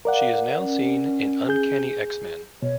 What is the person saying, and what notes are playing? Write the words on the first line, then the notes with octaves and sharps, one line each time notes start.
She is now seen in Uncanny X-Men.
A#4 D5 F5 F#5
C#4
G#4 G6
B2 C#5